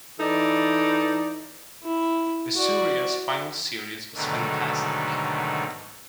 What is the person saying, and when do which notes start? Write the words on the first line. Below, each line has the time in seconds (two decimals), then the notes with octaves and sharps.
Licuria's final series was fantastic.
0.19 E3 D#4 A4 D5
1.83 E4
2.54 F#4 D5
4.14 G#2 B2 D3 D#3 F#3 A3